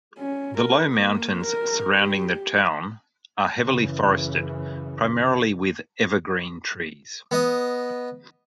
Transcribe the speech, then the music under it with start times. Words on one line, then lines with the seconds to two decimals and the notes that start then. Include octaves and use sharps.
The low mountains surrounding the town are heavily forested, primarily with evergreen trees.
0.19 C#4
0.58 A#4
0.93 A#3
1.44 A#4
1.95 G4
3.59 F#2 C#3 E3
7.31 B3 D#5